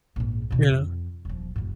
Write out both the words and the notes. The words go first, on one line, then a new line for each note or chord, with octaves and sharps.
You know?
A#1 G#2
E2 B2
F2
D#1 F3
F#1 A2